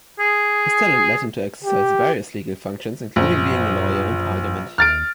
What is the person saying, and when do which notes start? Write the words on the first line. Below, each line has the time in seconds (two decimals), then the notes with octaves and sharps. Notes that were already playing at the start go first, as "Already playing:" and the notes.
His talent led him to exercise various legal functions, including being a lawyer in Parliament.
0.19 G#4
1.65 G4
3.16 A#1 F#2
4.78 D#2 F6 A6 D7